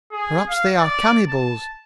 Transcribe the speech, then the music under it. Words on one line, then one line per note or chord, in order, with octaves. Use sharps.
Perhaps they are cannibals!
G#4
F5
D5
A5